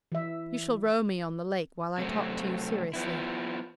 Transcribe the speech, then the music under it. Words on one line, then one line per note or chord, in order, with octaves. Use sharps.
"You shall row me on the lake while I talk to you seriously."
E3 E5
C3 F#3 A3 C4
F3 B3 E4